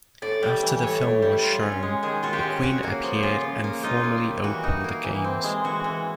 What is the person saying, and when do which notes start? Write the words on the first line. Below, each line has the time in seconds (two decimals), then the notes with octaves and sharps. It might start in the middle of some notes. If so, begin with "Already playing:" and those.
After the film was shown, the Queen appeared and formally opened the Games.
0.22 A2 D5
0.43 G3
0.63 E3
0.82 A2 C#5
1.02 A2
1.22 G3
1.42 F4
1.62 C#4
1.83 G#3
2.03 D#3 G#4
2.23 F4 F#4
2.33 G4
2.43 C#4
2.63 C#3 F#4
2.83 A#3
3.03 F3
3.23 C#3 F4
3.43 C#3
3.64 A#3
3.83 D#4 F4
4.04 A#3
4.24 G3
4.44 E3 F#4
4.64 D#4
4.84 A#3
5.04 E3
5.24 C4
5.44 G#3
5.64 E3 F#4
5.84 E3